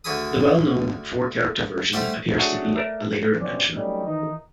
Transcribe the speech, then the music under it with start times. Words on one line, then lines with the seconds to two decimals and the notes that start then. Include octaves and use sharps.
The well-known four-character version appears to be a later invention.
0.04 D2 D3 F#4 G#4 B5 D#6
1.93 G3 A3 D4 G4 C5 F#5
2.37 F#3 A3 D4 F#4 G#4
2.76 A3 A#4 D5 E5
3.39 G1 F#2 B2 C4 C#4 D5
3.75 F#3 G3 A3 C4 C#4 D#4
4.05 D#3 E3 D#4